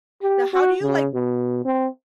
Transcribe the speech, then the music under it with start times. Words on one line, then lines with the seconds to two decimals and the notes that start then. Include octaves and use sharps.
Now how do you, like,
0.22 G4
0.54 F#4
0.82 C#3
1.14 B2
1.65 C4